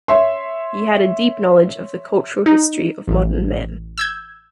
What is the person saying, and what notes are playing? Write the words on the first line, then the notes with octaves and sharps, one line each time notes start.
He had a deep knowledge of the cultural history of modern man.
C#5 E5 C6
D#4
A1
E6 G6 G#6